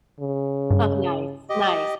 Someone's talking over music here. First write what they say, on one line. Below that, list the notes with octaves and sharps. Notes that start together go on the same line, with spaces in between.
Oh, nice, nice.
C#3
G2
G4 D#5